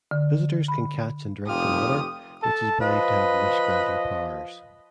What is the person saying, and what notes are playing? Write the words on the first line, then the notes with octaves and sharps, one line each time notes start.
Visitors can catch and drink the water, which is believed to have wish-granting powers.
D3
B5
F1 F4 G4 D#6 F6
A4 A5
F3 B4 D#5